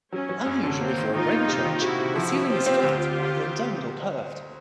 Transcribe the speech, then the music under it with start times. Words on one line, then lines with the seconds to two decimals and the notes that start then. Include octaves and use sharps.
Unusually for a Wren church, the ceiling is flat rather than domed or curved.
0.12 F#3 C#4
0.29 F#3
0.46 F#2
0.63 D3
0.80 A#3 C4
0.97 D#3
1.14 D#3 D#4 F4
1.31 A#3
1.48 C3
1.65 D#3
1.81 C3 E4 F#4
1.98 C3
2.15 F3
2.33 F3
2.50 C4 F4 G4
2.66 C4
2.83 D2